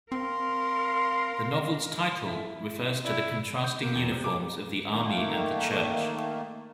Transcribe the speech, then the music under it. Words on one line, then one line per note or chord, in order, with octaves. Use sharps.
The novel's title refers to the contrasting uniforms of the Army and the Church.
C4 A#4 F5 C6
E4
E4 D5
G6
A#3
E2
C3
D6
D#3 A3 A#3